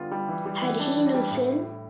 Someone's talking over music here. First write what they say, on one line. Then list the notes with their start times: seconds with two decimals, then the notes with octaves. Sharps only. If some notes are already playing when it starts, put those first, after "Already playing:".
Had he no sin?
Already playing: D3 G3 B3 F4
0.11 G3
0.28 E3
0.46 G3
0.62 E3
0.80 D4
0.97 E3
1.14 G3
1.31 A2